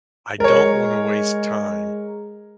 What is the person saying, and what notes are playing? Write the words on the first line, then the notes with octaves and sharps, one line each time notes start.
"I don't want to waste time,"
G#3 A#4 C#5